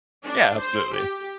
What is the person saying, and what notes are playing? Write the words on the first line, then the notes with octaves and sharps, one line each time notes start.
Yeah, absolutely.
D4
C5
G4